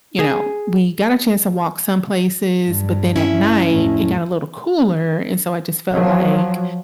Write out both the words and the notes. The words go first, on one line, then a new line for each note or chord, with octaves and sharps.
you know, we got a chance to walk some places, but then at night it got a little cooler, and so I just felt like,
G#4
G2
C#4 E4 E5
F2 A2
F3 F#3